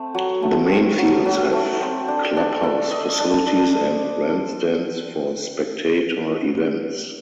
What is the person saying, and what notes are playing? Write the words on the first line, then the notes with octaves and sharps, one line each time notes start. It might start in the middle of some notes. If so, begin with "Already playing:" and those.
The main fields have clubhouse facilities and grandstands for spectator events.
Already playing: A3 C4
F#3
A3
C4
F#3
F#3
A3
C4
D4
D4
A4
D#5
D4
D4